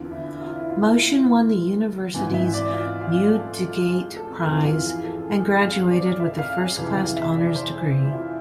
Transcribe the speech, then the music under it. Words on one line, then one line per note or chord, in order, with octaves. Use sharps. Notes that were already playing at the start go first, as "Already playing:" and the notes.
Motion won the university's Newdigate Prize and graduated with a first class honours degree.
Already playing: E2 D3 F4
E4
F4
E4
F4
G#2 E3 G#5
E5
D5
F4
F4
A4
F4
G#4
A4
F2 E3 G#4
F4
G#4
A4
G#4
F5
D5
E5
F5
G#4
F2 C3 E3 G#4
F5
E5
D5
C5
G#4
E4
F4